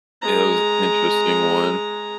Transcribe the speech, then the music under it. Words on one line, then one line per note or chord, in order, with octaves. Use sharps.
It was interesting one.
G#3 A#5